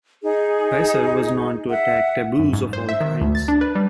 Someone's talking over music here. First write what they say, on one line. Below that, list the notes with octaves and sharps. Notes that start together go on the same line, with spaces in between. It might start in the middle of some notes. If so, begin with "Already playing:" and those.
Reiser was known to attack taboos of all kinds.
D#4 G#4
E5 F#5
F#2
G#2
C5
E5
D#3
D2
A6
D4
B4
G3